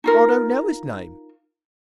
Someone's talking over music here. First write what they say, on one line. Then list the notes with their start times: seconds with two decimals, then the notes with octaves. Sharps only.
"I don't know his name."
0.04 D#4 F4 A#4